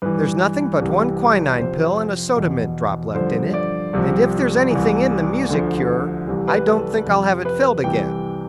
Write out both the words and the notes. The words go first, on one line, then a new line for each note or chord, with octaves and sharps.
There's nothing but one quinine pill and a soda-mint drop left in it, and if there's anything in the music cure, I don't think I'll have it filled again.
G2 E3 B4
C2 C3 E3
F2 C3 F3 C5
E2 B2
G2 D3 F3 C5
D5
C2 C3 F3
C2 C3 E3
D2 D3 F3
C2 C3 E3
B4
A4
F2 C3 F3
B4
C2 C3 E3 G5